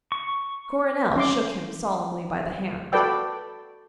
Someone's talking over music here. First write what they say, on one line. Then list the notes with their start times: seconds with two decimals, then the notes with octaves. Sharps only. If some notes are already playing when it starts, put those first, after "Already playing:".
Coronel shook him solemnly by the hand.
0.12 C#6
1.16 C#4 C6 D6
2.92 F#4 A4 B4 D5 G5 E6